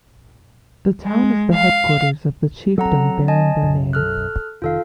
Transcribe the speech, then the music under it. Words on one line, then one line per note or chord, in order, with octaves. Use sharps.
The town is the headquarters of the chiefdom bearing their name.
G#3
F5
F#3 C4 A4 F#5 A#5
D#5 G#5 A5
B1 F#2
A4 F6 F#6
F1 D#3 F4 A4 F5